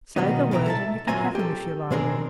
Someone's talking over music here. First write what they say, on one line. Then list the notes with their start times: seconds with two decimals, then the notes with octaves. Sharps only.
"Say the word, and you can have them, if you like."
0.16 B2 D#3 F#3 G3 B3 D#4
0.51 C2 B2 E4 G5 A#5
0.66 A4 E5 A5
1.07 A#2 F#3 C4 G#5 A#5
1.35 G4 A4
1.90 B2 D#3 C4 D4 G#4 A#4